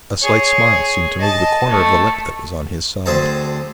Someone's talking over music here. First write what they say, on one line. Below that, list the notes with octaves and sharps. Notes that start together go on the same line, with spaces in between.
A slight smile seemed to move the corner of the lip that was on his side.
G#4 C#5
D#5 A5
A3
D2 C4 G#4 C5 A5